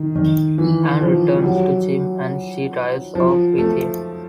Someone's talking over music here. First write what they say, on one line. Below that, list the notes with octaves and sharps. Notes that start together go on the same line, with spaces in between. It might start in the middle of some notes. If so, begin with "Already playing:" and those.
Ann returns to Jim and she drives off with him.
Already playing: D#3
D#3
E3
F3
G3
F#3
F3
A3